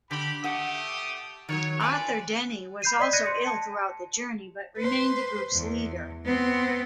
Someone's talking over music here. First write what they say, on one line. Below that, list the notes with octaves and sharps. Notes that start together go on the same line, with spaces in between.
Arthur Denny was also ill throughout the journey, but remained the group's leader.
D3 G4 B5
A3 G4 F#5 D#6
D#3 F#3 C#5
F4 B4 D5 G#5 A#5
B5 G6 C7 D#7
D5 D#5 D#6 B6
F#6 G#6 A#6 C#7 D#7
C6 C#7
A5
B4 C5
E2
B3 C4